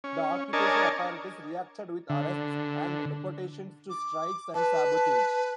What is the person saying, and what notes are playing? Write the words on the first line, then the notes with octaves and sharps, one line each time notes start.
The occupation authorities reacted with arrests and deportations to strikes and sabotage.
C#4
D4 A#4 C#5 D#5 G#5 A5
D3
D6
B4 A5